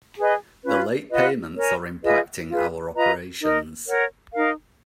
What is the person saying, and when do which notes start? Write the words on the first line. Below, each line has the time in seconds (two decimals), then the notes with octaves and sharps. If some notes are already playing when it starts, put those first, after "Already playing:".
The late payments are impacting our operations.
0.17 G#4 B4 D#5
0.64 C#4 F4 B4
1.10 F4 B4 D#5 F#5
1.56 A#4 C#5 G#5
2.02 F4 G#4 B4 D#5
2.48 F4 G#4 B4
2.95 F4 B4 D#5 A#5
3.40 D#4 A#4 D#5
3.87 A#4 C#5 F#5
4.33 D#4 A#4 F5